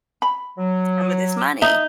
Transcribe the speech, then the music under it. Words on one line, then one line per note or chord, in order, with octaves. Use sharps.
some of this money
B5
F#3
D#4 E5